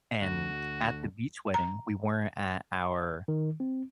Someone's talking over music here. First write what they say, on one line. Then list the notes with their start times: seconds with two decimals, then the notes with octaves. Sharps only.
and at the beach wedding, we weren't at our,
0.22 D2 F#4
1.54 A#5
3.28 D#3
3.60 C4